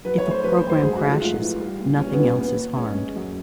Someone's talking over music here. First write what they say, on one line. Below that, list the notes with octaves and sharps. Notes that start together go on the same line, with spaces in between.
If a program crashes, nothing else is harmed.
F#3 B4
C#5
A3
C5
F#3 B4
C5
F#2
C5
G#2 G#4
F#4
A3
F4
G#2 F4
E3
G3
A#2
G3 C#4
B3
A#2
C#4
D#2 B3
D#2
G#3 C#4
G#3
F#2